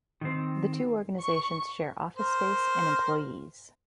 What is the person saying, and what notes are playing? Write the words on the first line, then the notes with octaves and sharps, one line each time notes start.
The two organizations share office space and employees.
D#3 C4
C#6
A#4 C5